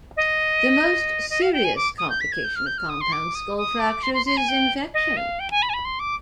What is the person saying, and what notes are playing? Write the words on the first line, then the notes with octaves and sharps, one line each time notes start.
The most serious complication of compound skull fractures is infection.
D#5
D#5
F5
G5
G#5
D6
D#6
G6
B6
G#6
G6
F6
G6
F6
D#6
C6
D6
D#6
D#6
D6
C6
C6
C6
G#5
G5
D#5
F5
G5
G#5
B5
G#5
B5
C6
D6